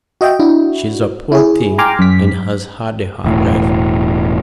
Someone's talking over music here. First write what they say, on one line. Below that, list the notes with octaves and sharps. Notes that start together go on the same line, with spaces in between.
She's a poor thing and has had a hard life.
F#4 D#5 E5 G5
D4 E4 F#4
E4 G#4
G5 G#5 A#5 C6 D6 F6
F#2 B6
E1 A2